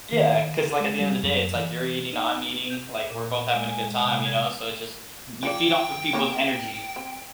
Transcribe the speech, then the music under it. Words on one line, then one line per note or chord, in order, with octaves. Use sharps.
Yeah, 'cause like at the end of the day, it's like you're eating, I'm eating, like we're both having a good time, you know, so it's just, y you feed off of people's energy.
D#3
G#3
G3
F#2
E3
D#4
G6
A#2
G#3
G#5
G#3
C3
G#6
F3 D5 G5
A#3 C4 C#5
C4